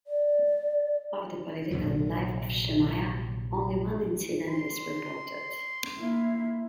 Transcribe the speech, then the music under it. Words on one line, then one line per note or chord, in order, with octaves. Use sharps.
Of the political life of Shemaiah only one incident is reported.
D5
A#1 C3 D#3 F#3
C6
A#3 E4